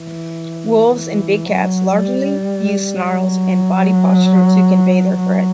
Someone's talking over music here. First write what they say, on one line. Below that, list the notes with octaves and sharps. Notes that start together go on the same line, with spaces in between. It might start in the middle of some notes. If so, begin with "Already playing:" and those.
Wolves and big cats largely use snarls and body posture to convey their threat.
Already playing: E3
E3
F#3
G3
F#3
F#3